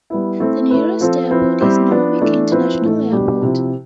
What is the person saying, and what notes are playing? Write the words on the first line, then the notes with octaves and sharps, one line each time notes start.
The nearest airport is Norwich International Airport.
G3 B3 E4
A3 C4 E4
A3 E4 B4
F3 C4 F4 A4 C5
F3 C4 E4 B4
G3 C4 E4 G4 C5
F3 B3 D4
E3 A3 D4
F3 C4 E4 B4
A2 E3 A3
B2 G3 D4 G4
C3 F3 C4 E4